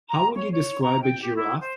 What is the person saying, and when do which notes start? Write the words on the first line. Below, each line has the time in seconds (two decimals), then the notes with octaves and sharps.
How would you describe a giraffe?
0.09 A#5
0.35 C#5
0.53 C#5
0.82 A#5
1.02 G5
1.23 G4
1.35 E4
1.60 C5